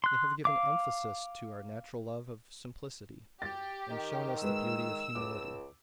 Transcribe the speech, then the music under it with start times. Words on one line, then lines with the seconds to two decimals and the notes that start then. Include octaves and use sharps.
They have given emphasis to our natural love of simplicity, and shown us the beauty of humility.
0.04 C6 F#6
0.45 F5 D6
3.42 G4 A6
3.90 D#3
4.42 G#3 B4 E6
5.15 C#2 D6